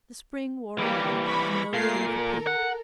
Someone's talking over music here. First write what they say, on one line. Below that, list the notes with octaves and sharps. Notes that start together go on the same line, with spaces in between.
The spring wore away, and no relief appeared.
E3 G3 A#3 G4
B5 C#6
A#2 A3 F5 C7
A4 A#4
F#5